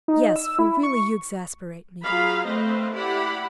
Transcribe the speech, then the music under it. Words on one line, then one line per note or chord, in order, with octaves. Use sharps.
"Yes, for really you exasperate me."
D#4
E6
E4
C#6
F#3 F4 G#4 F5 B5
A3 C4 B4 C5 D#5 F5
E4 G4 D5 F#5 B5